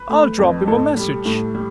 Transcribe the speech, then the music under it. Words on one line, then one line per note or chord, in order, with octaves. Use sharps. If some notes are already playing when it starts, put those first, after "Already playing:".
"I'll drop him a message!"
Already playing: B4
A3
F2
A2 A4
G3
A2
G3